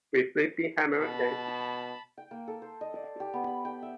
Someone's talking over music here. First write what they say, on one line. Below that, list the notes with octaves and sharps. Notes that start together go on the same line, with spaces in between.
We flipping hammered them.
B2 A5 B5
G5
A#3
A4
C5
D#5
D5
G4
B3
B5
G5
E5